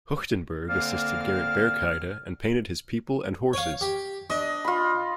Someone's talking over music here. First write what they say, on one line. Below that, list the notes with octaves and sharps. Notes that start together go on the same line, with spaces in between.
Huchtenburg assisted Gerrit Berckheyde and painted his people and horses.
D3 A#3 C4 C5 D5 F6
C#5 F5
G4
D4 D#5
F4 B5